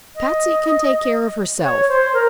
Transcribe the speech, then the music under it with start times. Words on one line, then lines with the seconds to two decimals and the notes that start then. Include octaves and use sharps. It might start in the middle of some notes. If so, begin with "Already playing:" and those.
"Patsy can take care of herself."
0.16 D#5
1.64 C#5
1.89 C5
2.14 A#4